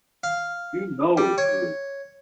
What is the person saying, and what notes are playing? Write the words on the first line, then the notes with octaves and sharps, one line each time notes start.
You know it is!
F5
G3
C#5